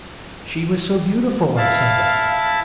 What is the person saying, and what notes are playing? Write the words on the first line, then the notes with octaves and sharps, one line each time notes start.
She was so beautiful on Sunday.
E4 F5 A5